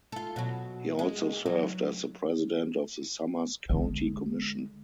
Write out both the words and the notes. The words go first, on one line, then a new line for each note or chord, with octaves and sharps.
He also served as the president of the Summers County commission.
F4 A4
B2 F#3
G#3
F#3
D3 G#3